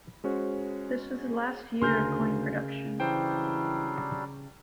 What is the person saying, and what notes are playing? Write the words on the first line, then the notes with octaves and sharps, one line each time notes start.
This was the last year of coin production.
G#3 C#4 F#4 C5
D2 C#3 A#4 C6 F6 G6
E3 F#3 G3 D4 C5 G5